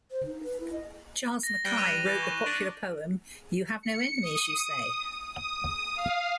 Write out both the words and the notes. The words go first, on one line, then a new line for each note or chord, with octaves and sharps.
Charles Mackay wrote the popular poem You have no enemies, you say?
C5
D#4
B4
E4
D#5
A#6
G3 F#6 G7
D6 D#7 F7
E3 G6
C#6
D4
C#7
D#6
D#6
F5